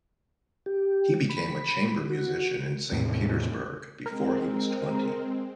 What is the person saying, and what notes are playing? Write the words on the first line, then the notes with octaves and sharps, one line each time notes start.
He became a chamber musician in Saint Petersburg before he was twenty.
G4
B5
F#4
E2 A2 C3
G#3 C4 A#4